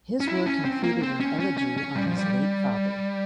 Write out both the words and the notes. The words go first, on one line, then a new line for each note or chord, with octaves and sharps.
His work included an elegy on his late father.
C#4
E4
C#4
C4
A#3
C4
C#4
C#4
C#4
C#4
G3
F3
G3